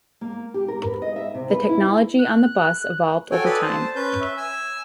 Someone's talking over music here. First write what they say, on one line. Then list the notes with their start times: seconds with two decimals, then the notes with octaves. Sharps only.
The technology on the bus evolved over time.
0.21 A#3
0.54 G4
0.68 A#4
0.86 B4
1.02 D#5
1.16 E5
1.35 C3
1.50 B4
1.69 E4
2.19 F#6
3.31 F#4 A4 C#5 G5 G#5
3.45 A4 B4 D5 B5 D#6
3.62 C5 A5
3.96 C#4 B4 G6
4.20 E5
4.37 G#5 E6